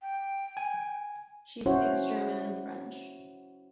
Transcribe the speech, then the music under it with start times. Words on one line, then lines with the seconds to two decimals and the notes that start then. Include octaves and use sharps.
She speaks German and French.
0.02 G5
0.57 G#5
1.66 C#4 E4 F#4 C5 C#5